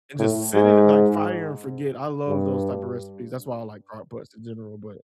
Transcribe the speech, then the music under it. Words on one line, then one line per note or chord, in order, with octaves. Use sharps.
and, just, sit it like, fire and forget. I love those type of recipes. That's why I like crock pots in general, but
A2
G#2
G2